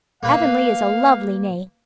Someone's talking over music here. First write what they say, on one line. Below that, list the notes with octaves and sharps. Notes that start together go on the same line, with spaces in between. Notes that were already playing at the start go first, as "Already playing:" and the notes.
Avonlea is a lovely name.
A#3 B4 F5